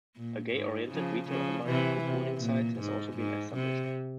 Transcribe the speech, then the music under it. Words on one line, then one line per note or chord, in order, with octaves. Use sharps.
A gay-oriented retail online couponing site has also been established.
A#2
G#2
C#3 F3
C#3 F3
C3 E3
C3
A#2
G#2
G#2
C3